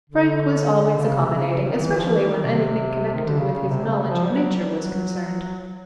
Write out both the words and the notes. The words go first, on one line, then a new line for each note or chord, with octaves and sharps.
Frank was always accommodating, especially when anything connected with his knowledge of nature was concerned.
D3
D3
C#3
C3
C#3
D#3
E3
F3
E3
D#3
C3
D#3
D3
C#3
C#3
C3
C#3
F#3
F3
G3
F#3
G3
F#3